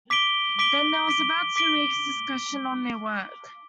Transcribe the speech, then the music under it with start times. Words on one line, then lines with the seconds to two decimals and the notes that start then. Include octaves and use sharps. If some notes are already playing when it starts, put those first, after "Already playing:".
Then there was about two weeks discussion on their work.
0.10 D6 B6 D7 G7
0.59 D6 B6 D7 G7
1.07 D6 B6 D7 G7
1.56 D6 B6 D7 G7